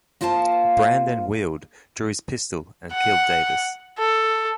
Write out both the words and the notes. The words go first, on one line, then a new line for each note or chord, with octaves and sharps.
Brann then wheeled, drew his pistol, and killed Davis.
A#3 F4 C5 F5 A5
F#5
A4